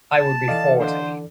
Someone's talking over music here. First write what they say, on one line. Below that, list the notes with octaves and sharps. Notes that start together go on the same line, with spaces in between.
I will be forty.
A5
E3 A4 D5 D#5 F5
D3 C5